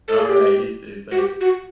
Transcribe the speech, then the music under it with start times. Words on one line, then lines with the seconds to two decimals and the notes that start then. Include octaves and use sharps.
Alright, you too. Thanks.
0.08 A4
0.19 G#4
0.29 G4
1.11 F#4
1.18 G4
1.41 F#4